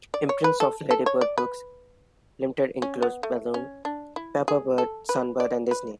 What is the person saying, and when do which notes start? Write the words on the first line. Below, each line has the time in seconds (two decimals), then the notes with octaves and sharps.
Imprints of Ladybird Books Limited included Balloon, Paperbird, Sunbird and Disney.
0.14 D5
0.29 C#5
0.44 B4
0.60 A4
0.91 A4
1.06 C#5
1.21 D5
1.38 B4
2.82 C#4
3.02 B3
3.23 A3
3.54 C#4
3.85 D4
4.16 E4
4.48 G#4
4.78 A4
5.09 B4
5.40 D5
5.71 B4